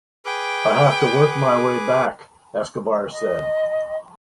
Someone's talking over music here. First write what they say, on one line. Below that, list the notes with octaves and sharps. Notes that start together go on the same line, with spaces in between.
I have to work my way back, Escobar said.
G#4 B4 G5 D6
D#5